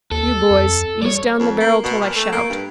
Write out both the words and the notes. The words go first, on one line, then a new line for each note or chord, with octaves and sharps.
You, boys, ease down the barrel till I shout.
D#2 A4
F2
G3 C#5 D5
F2
A#3
B2
A#2
A3
A#3
G2